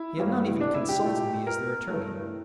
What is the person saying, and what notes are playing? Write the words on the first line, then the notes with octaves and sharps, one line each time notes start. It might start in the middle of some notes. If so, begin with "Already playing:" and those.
He had not even consulted me as their attorney.
Already playing: E4
G2 E3 G3 A#3
D4
E4
G4
A#2 A3
A#4
G2 E3 A3